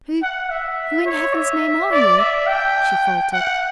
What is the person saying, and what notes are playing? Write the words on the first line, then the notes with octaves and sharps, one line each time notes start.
"Who--who in heaven's name are you?" she faltered.
F#5
E5
C#5
E5
D5
E5
G5
F#5